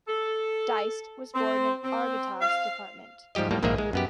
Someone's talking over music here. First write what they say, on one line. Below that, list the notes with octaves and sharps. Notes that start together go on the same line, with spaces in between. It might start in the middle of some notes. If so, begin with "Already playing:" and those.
Dieste was born in Artigas department.
A4
C4
C4
F5
G#2 F3 G3 G4 D#5
A2 G3 A#3
A#1 G#2 D#3 A#3 G#4 E5
G#3
F#2 B3 G4